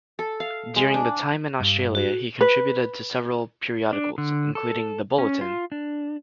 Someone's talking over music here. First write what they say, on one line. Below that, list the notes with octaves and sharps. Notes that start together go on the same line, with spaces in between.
During the time in Australia he contributed to several periodicals, including "The Bulletin".
A4
F5
G#3
D4
G2
F#4
B4
D4
D3
A4
C#4
F4
D4